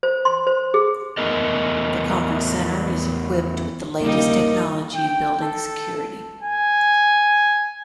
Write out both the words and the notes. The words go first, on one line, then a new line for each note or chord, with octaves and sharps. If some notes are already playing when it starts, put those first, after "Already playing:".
The Conference Centre is equipped with the latest technology in Building security.
C5
C6
C5
G#4
E2 A3 B3 A#4 D#5
G1 D#2 C#3 G3 A#3 D#4
G5
A4
G#5